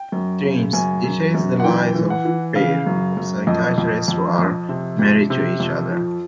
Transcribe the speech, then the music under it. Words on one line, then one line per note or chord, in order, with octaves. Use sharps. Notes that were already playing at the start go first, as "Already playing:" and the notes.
"Dreams" details the lives of pair of psychiatrists who are married to each other.
Already playing: G5
F#2
C#3
F#2 G#5
F#2
F#2
F#5
E3 G5
E3
F#5
E3
C#3 F5
F#2
F#2
F2 D#5
F2
F2
F2
C3
F2
C3
F2
F3